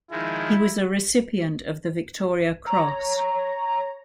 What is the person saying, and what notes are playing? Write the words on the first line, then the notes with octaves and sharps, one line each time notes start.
He was a recipient of the Victoria Cross.
D#3 F3 G#3 E4
C#5 A#5